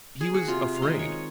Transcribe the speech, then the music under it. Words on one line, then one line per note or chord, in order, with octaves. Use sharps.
He was afraid.
G#4
F#4
C3 F4
F5
D#3 G#3 C4 D#5
C#5